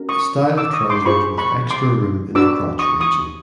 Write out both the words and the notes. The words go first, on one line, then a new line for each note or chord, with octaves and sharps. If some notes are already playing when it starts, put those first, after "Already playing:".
A style of trousers with extra room in the crotch region.
Already playing: C#4 F#4 A#4
C#6 D#6
D6 E6
C#6 D#6
C6 D6
F4 G#4 C5 B5 C#6
B5 C#6
C6 D6
D4 F#4 B4 D6 E6
C#6 D#6
C#6 D#6